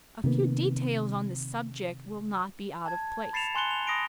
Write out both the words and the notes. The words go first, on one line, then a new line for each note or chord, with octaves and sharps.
A few details on this subject will not be out of place.
C3 D#3 A#3 B3
A5 G#6
B5 A6 C7 C#7 E7 F7
G#5 C6 F#6 C#7 G7
F7
B5 D#6 A#6 C7 D7 F7